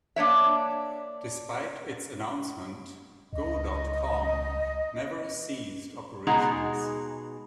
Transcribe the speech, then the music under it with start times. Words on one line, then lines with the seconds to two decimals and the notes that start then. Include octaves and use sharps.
Despite its announcement, go dot com never ceased operations.
0.16 A#3 D4 C#5 E5
3.33 C#2 D#5
6.27 B2 G#3 D#4 G#4 F#5 A#5